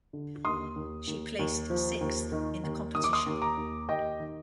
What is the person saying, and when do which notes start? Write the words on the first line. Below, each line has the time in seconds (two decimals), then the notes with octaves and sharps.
She placed sixth in the competition.
0.13 D3
0.45 D#2 C6 D#6
0.76 D#2
1.07 D#2
1.39 D#2
1.70 F3
2.01 D#2
2.32 D#3
2.64 D#2
2.95 D#2 D#6
3.04 D6
3.13 C6 D#6
3.27 D#2
3.42 A#5 D6
3.57 D#2
3.89 D#2 D#5 G5
4.20 D#3